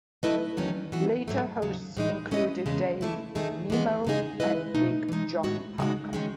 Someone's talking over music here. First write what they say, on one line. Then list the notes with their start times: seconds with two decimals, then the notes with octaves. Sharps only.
Later hosts included Dave Nemo and Big John Parker.
0.23 F#3 A3 E4 B4 D#5
0.57 E2 D#3 F#3 A3 C#4
0.92 E3 B3 F#4
1.28 G#2 F#3 A3
1.62 D#2 C#3 F#3
1.97 A2 E3 G#3 D#4
2.31 G#3 C#4 E4 B4 D#5
2.66 E2 C#3 G#3 C#4
3.01 E3 A3 E4 B4
3.35 E2 D#3 A3 D#4 G#4
3.70 E3 G#3 B3
4.05 E2 C#3 G#3 D#4 G#4
4.40 G#3 C#4 E4 B4 D#5
4.75 B2 A3 D#4
5.09 E3 G#3 D#4
5.43 A2 G#3 B3 F#4 C#5
5.78 C#3 G#3 D#4 F#4
6.13 D#3 G#3 C#4